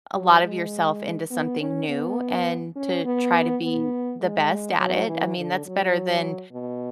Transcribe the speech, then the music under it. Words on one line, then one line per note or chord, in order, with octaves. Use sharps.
a lot of yourself into something new and to try to be the best at it. I mean, that's better than
F#3
G#3
B3
C#4
B3
C#4
B3
B3
G#3
F#3
E3
D3
F#3
B2